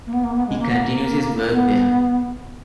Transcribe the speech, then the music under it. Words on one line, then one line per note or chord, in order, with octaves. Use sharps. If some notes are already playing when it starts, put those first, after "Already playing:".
He continues his work there.
A#3
B3
A#3
B3
G#3
A#3
B3
A#3
B3